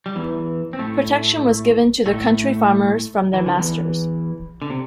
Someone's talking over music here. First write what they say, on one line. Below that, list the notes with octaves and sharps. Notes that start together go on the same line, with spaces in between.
Protection was given to the country farmers from their masters.
G3
E2 E3
C4
A2 A3
A2 A3
E3
D3
E2 E3
D3
C3